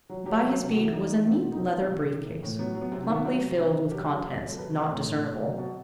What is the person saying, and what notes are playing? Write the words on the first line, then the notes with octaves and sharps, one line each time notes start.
By his feet was a neat leather brief-case, plumply filled with contents not discernible.
F#3
F#3 G4
F#3
C3
F#4
E3
E4
E3 D#4
E3
B2 C4
B2
D#4
B2 C4
D#4
B2
C4
C3
D#3
E3
A2
F#3 B3
F#3
B3
C3 C4
C4
D#3
B3
F#3 C4
C3
E3 D#4
C3
F#3 G4
F#3
F#3
F#3
A4
C3 B4
E3
A2 C4
A2
C3
F#3
B2